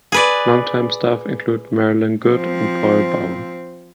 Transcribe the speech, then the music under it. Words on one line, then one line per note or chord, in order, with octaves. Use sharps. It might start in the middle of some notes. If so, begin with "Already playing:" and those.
Long time staff include Marilyn Good and Paul Bauer.
G#4 B4 D5
F3 C4